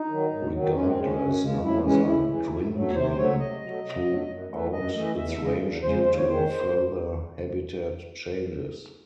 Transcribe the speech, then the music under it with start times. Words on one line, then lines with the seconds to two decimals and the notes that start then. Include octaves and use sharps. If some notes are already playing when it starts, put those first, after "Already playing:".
Regardless, numbers are dwindling throughout its range due to further habitat changes.
Already playing: D#4
0.08 D#3 F#3
0.30 G#2
0.52 D#3 F#3
0.74 F#2 C#4
0.87 C4
0.96 C#3 G#3 C#4
1.19 F#2
1.41 C#3 G#3
1.63 A2 E4
1.84 E3 G#3 C#4
2.06 A2 E4
2.29 E3 G#3
2.51 C3
2.73 F#3 A3
2.90 C#5
2.95 C3 C5
3.10 C5
3.18 F#3 A3 C#5
3.39 C3 D#5
3.62 F#3 A3
3.84 C3
4.06 F#3 A3
4.28 F#2
4.50 E3 A3
4.72 F#2 D#5
4.94 E3 A3 D#5
5.16 E2 E5
5.31 E5
5.39 C#3 G#3
5.46 D#5
5.60 E2
5.83 C#3 G#3 C5
6.05 D#2 C5
6.17 C#5
6.27 D#3 G#3 C5